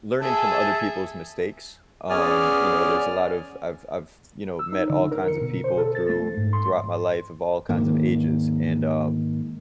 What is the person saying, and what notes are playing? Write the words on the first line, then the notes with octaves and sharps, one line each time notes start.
learning from other people's mistakes. Um, you know there's a lot of I've I've you know met all kinds of people through throughout my life of all kinds of ages, and um,
G#4 A4 E5 G#5 A5
B3 C#4 G#4 D5 G#5 F6
E6
D#4
D3
A#4
C#7
B2
C5
A4
A6
A3
G#2
C6
G#2 D#3 A#3